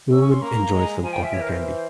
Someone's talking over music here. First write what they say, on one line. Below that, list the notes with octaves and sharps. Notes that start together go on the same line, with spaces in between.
A woman enjoys some cotton candy.
C#4 E6
C#6
C6
A#3 A#5
G#3
F3 G#5
G5
E5
E3 C#5
A#4
C5